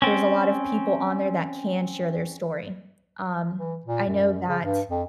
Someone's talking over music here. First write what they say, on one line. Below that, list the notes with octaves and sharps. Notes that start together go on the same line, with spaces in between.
there's a lot of people on there that can share their story. Um, I know that
C4 C#4
E3
A#2
F#2
C#3
G2
F2